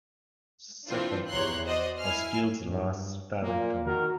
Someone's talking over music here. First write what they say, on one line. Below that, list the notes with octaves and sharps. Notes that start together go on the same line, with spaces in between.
"Sucker" was Fields' last starring film.
E3 C4 D4 F4
E2 G4 C#5 A#5 C6 F#6
F#4 C5 D5 D#5
E4 G#5 F6 C7
G2
A#2 A#3
D#3 F#4 A#4